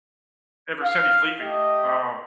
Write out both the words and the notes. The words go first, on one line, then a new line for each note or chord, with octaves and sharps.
ever said he's leaving." Um
F5
A3 G4 D#5